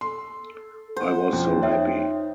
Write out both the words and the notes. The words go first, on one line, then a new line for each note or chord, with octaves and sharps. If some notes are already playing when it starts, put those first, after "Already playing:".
I was so happy.
A4 C6
C5 F#5
F2 C#4
D#4 C#5 E5 G5